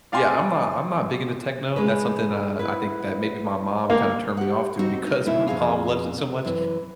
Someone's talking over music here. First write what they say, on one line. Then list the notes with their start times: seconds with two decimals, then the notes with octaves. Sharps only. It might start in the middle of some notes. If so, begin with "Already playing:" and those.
yeah, I'm not I'm not big into techno, that's something, uh, I think that maybe my mom kinda turned me off to because my mom loves it so much,
0.12 D5 F5 G5 G#5 C6 D6
1.76 G#3 D#4 B4
2.59 B3 E4 B4
3.90 D2 A#3 F5
4.37 G4 F#5
4.79 G3 C4 D#4 F#4
5.07 D#4
5.25 D#2 A#3 C#4 E4
5.48 F2 G#4 F5
6.45 F#2 E3